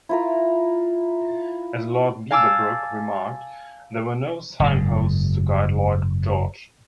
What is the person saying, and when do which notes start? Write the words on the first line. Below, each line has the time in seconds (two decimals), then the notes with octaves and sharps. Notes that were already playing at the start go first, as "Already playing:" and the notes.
As Lord Beaverbrook remarked, There were no signposts to guide Lloyd George.
0.09 E4 F4 A#4
2.31 F5 G#5 A5 D6 E6
4.60 F#1 G#2